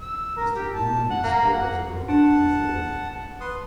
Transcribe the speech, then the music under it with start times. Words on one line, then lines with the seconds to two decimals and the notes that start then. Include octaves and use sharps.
Mr Bruno Nestor Azerot has the floor.
0.01 E6
0.37 A#4
0.55 G4
0.74 A5
1.11 F#5
1.24 A#3
1.53 F#5
2.08 D4 F#5 A5
3.41 B4 C6 D#6